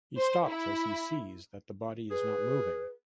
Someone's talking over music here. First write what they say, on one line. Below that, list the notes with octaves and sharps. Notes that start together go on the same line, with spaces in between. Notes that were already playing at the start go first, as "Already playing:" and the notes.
He stops as he sees that the body is not moving.
C5
E4
G#4 B4